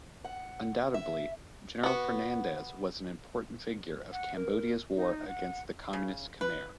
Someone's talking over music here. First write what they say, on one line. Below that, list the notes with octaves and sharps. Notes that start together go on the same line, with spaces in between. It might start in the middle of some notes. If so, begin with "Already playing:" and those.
Undoubtedly, General Fernandez was an important figure of Cambodia's war against the communist Khmer.
F#5
E5
B3 F#4
F#5
A#4
D#4
F#5
C#3
B4